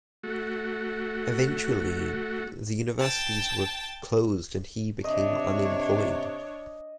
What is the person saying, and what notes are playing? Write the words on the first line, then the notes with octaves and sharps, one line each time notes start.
Eventually the universities were closed and he became unemployed.
A3 F#4
G5 A5
C3 D4 C#5 D#5